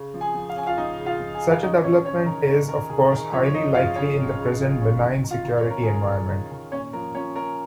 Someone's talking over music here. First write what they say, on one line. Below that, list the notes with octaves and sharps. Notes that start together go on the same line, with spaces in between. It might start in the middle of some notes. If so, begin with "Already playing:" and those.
Such a development is, of course, highly unlikely in the present benign security environment.
Already playing: C#3
F3
G#4 G#5
F3
F5
C#4 G#5
F4 F5
F3 D#4 D#5
C#3
F4 F5
F3
G#4 G#5
C#3
F5
C#4 D#4 D#5
D#3 C#4 C#5
C#4 C#5
D#3 A#4
D#3
D#3 A#4
D#3 G#4
D#3 A#4
F3 C#4 C#5
C#5
F3 D#4 D#5
C#3 F4 F5
C#3 C#4 C#5
C#4
C#3
F3
C#4
D#3
D#3
F4 F5
D#3
C#5
C#4 A#4
D#3 G#4
A#4
C#4
D#3
D#3
A#2 C#4 C#5
F3 A#4
F3 C#4 C#5
C#4 A#4